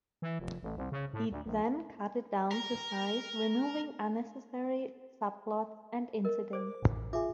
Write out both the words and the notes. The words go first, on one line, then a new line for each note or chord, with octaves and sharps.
He'd then cut it down to size, removing unnecessary subplots and incidents.
E3
F1
A1
C2
C#3
A2
D2
A#1
A#4 A#5
A#4 D#5
C5 D5 D6
A1
F4 G#4 E5 D6